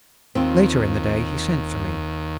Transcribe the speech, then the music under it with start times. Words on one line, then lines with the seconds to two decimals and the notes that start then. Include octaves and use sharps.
Later in the day he sent for me.
0.35 D#2 C4 F4